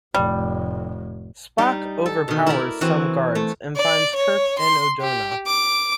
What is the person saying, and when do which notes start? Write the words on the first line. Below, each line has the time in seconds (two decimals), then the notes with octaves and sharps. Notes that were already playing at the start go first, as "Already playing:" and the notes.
Spock overpowers some guards and finds Kirk and Odona.
0.15 F1 A2 G3
1.58 G3 D#4
2.06 A4
2.28 B2 D#3
2.46 E4 A#4 D5 A#5 B5
2.81 E3 C4 E4 F#4
3.35 A3
3.76 D5
4.16 C#5
4.59 C6
5.01 G4
5.47 D6